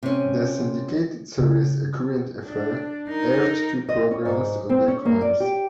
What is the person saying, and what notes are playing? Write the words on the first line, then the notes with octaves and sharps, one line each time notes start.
The syndicated series "A Current Affair" aired two programs on the crimes.
C3 C#4
C#3
D4
D#4 A#4
D#5
C#4
G#2
C4
C#4
A#3
D5
G4